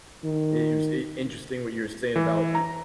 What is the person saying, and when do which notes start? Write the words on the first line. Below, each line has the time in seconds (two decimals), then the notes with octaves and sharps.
It it was i interesting what you were saying about,
0.24 D#3
2.16 E3
2.55 A#5